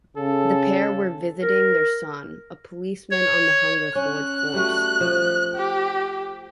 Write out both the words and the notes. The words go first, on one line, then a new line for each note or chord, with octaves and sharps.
The pair were visiting their son, a policeman on the Hungerford force.
C#3 A4
A#4
C#5
C#4 F#6
G3 A3 F#4
F3
G4